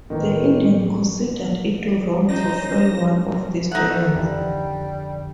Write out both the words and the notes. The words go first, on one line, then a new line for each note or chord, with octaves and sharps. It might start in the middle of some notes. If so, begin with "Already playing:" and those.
The Indians considered it wrong to fell one of these giants.
A2 D#3 E3
C#4 D#4 C5 A#6
A3 D#4 F#5
F2 D3 G3